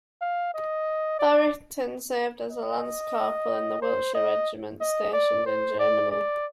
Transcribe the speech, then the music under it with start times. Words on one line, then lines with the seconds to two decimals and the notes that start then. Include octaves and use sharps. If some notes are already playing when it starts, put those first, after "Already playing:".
Barrington served as a Lance-Corporal in the Wiltshire Regiment stationed in Germany.
0.21 F5
0.54 D#5
1.19 D5
2.51 D#5
3.82 C5
4.15 D#5
4.81 D#5
5.13 D5
5.46 C5
5.79 D5
6.12 D5